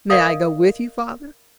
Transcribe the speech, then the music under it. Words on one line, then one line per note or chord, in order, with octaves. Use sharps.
"May I go with you, father?"
A#4 D5 D#5 F5 D#6